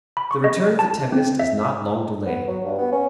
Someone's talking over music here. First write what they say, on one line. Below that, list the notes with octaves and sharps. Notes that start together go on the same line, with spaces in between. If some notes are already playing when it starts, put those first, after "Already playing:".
The return of the tempest is not long delayed.
B5
C#6
D#5
A5
C4
E5
B3
F#3
G2
B3
C#4